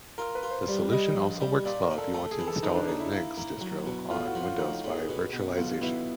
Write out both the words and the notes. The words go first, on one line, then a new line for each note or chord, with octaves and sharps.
This solution also works well if you want to install a Linux distro on Windows via virtualization.
F4 A#4
B4
F4
C5
G3 D5
G3 D#5
A#1
G3
A#2 D5
A#4
A#2
A4
A3 A4
G#4
E3
A4
E3 D#4
D4
C#3 D#4
E4
A#3
A#3
F#3
B2
A2 F4
F#4
F3
F4
A2 D#4
A2
G#4
B2
B2
B1 F4
B2 E4